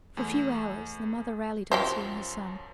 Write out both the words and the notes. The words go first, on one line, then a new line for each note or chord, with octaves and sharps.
For a few hours, the mother rallied on seeing her son.
E2 A3
F#2 F3 F#3 F#4 G4 C5